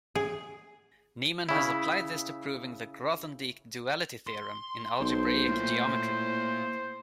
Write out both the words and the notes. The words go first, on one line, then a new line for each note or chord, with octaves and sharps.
Neeman has applied this to proving the Grothendieck duality theorem in algebraic geometry.
G#4
C#3 E4
C6
B1 C5
A2 A#3 F4